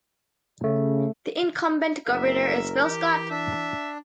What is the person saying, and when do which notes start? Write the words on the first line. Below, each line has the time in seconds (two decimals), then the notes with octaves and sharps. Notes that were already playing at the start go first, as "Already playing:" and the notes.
The incumbent governor is Phil Scott.
0.64 C#3 A3
2.07 F#1 A#4 E5
2.85 E3 G4
3.31 D4 E5